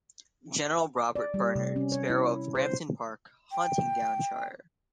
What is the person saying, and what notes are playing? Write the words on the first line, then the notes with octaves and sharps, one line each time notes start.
General Robert Bernard Sparrow of Brampton Park, Huntingdonshire.
D5
G3
C3
C#4
C#5
E4
C5
G5